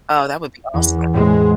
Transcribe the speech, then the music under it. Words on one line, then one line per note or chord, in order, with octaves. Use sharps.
oh, that would be awesome.
E2
A2 G#3 C5